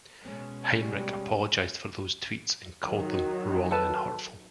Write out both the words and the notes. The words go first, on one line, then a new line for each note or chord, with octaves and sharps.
Heinrich apologized for those tweets and called them "wrong and hurtful".
B2 G#3 C#4
G3
D#3 F#3
A4 B4 A5